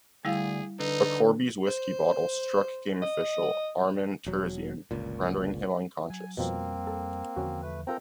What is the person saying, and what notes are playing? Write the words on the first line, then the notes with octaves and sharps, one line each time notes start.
A Corby's Whiskey bottle struck game official, Armen Terzian, rendering him unconscious.
D2 G3 E4 G#4 F5
D3 D#4 B4
C5
D#5
E1 F#3
G1 C#2 A#2
F#3 G#5
F2 B2 F3 G3 A#3 C4
A4
E2 D3 F3 C#4 F#4
A3 B4
C4 F4 A4 A#4 G5 A#5